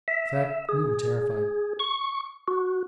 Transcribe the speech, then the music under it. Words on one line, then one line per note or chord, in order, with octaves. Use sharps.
In fact, we were terrified.
E5
G#4
C#6
F#4